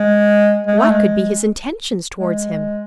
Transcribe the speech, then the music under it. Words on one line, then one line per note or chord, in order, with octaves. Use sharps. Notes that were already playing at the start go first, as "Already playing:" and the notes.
What could be his intentions towards him?
Already playing: G#3
G#3
A3
G#3
G#3